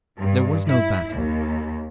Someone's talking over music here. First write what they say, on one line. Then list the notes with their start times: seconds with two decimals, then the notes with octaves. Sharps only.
There was no battle.
0.18 G2
0.67 E4
1.15 D#2